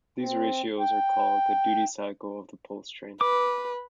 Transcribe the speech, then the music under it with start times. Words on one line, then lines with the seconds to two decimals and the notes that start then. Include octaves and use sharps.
These ratios are called the "duty cycle" of the pulse train.
0.19 C4
0.80 G5
3.21 B4 D6